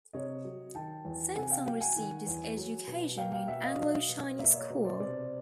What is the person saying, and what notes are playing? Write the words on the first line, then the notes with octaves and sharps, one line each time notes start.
Seng Song received his education in Anglo-Chinese School.
C3 C#5 D#5
F#3
D#3 G5 A5
E2
C3 F#5 G#5
F5 G5
F#3 F5 G5
F#5 G#5
D#3
E2
F#3
B2
A#3 F5 G5
F5 G5
B2 E5 F#5
D#5 F5
F#3
B2
A#3 D5 E5
C#5 D#5
B2
C5 D5
C3 C5 D5